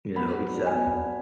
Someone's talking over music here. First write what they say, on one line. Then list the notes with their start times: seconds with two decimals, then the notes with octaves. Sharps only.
You know? It's a
0.16 B3 B5
0.35 F#3
0.54 D4
0.66 G#5
0.73 B3
0.91 D4